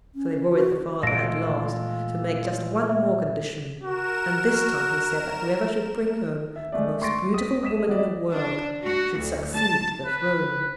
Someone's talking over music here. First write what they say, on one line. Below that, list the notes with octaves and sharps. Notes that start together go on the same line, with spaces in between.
So they worried the father at last to make just one more condition; and this time he said that whoever should bring home the most beautiful woman in the world should succeed to the throne.
C#4
F#4
A#2 E3 G#3 A3 F4 A4 A#6 D7
E5
F#4 A#4 E7
E5
G#3 A3 D5
C6 C#6 A6 A#6 D7
D#6 B6
D#6 B6 E7
G3 F#4 D5 D#5
D4
F#4
D2
A5
B4